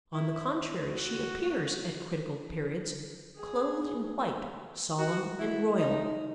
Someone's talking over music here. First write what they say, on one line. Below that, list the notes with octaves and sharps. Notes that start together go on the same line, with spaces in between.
On the contrary, she appears at critical periods, clothed in white, solemn and royal.
E4
F#4
G#4
F#4
E4
D#4